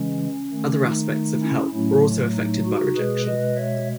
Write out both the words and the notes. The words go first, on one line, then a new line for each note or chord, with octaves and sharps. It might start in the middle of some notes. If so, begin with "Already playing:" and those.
Other aspects of health are also affected by rejection.
Already playing: C#3 E3 G#3 C#4
D#3 A3
D#4
C#4 E4
A2 F#3 A3 C#4 E4
D#4
D#4 F#4
B2 G#3 G#4 B4
B4 D#5
C#5 E5